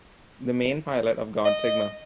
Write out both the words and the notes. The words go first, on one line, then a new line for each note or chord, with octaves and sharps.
The main pilot of God Sigma.
D#5